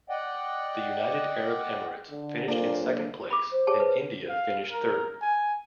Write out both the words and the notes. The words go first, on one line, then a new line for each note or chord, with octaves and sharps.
The United Arab Emirates finished in second place and India finished third.
D5 D#5 F#5 G5
D3
F2 A#2 F#3 A#3 D4
B5 D6
C5
G#4 C#5 A5
B4
F5
A#4
G#5